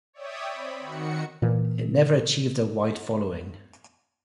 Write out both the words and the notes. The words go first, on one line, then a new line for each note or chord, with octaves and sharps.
It never achieved a wide following.
C#5 D5 E5 G5 D#6
C4 B5
D#3 F#4 C#7
A#2 E3